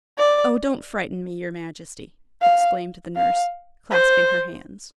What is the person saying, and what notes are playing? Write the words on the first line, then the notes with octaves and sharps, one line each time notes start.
"Oh! don't frighten me, your Majesty!" exclaimed the nurse, clasping her hands.
D5
F5
F5
C5